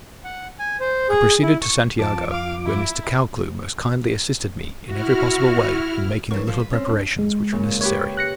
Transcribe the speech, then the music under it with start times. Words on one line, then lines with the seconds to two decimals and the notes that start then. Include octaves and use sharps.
I proceeded to Santiago, where Mr. Caldcleugh most kindly assisted me in every possible way in making the little preparations which were necessary.
0.24 F#5
0.59 G#5
0.80 C5
1.09 G#4
1.43 E4
1.62 C#6
1.99 F2 F4 A5 D6
2.31 F5
2.66 E4
4.89 E4 F#4 F6
6.31 G2 E3 F#3 A#4 C#6
6.47 F3
6.60 B4
6.71 C4 C#4
6.89 C2 D4
7.19 G#3
7.52 A#2 C#3
7.81 G4 B4 C#5
8.17 F#6 A#6 C#7